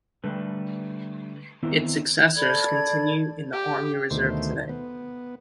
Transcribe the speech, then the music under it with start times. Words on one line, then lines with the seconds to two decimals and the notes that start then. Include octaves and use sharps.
Its successors continue in the Army Reserve today.
0.24 D3 G3 A3 B4
1.63 D#3 B3 C4 E4
2.35 A4 D5 B5 G#6
3.52 G4
4.11 D2 B2 D#3 A3 C5
4.69 B3